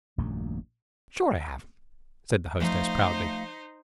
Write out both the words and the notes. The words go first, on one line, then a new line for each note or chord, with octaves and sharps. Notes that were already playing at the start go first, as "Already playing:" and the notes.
"Sure I have," said the hostess proudly.
D#1 A#1 F#2 A3
F3 A3 D#4 C5 F5